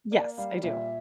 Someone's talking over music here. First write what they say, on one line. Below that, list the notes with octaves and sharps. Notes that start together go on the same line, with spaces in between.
Yes, I do.
A#3 D5
G3 F5
D5
A#2 E5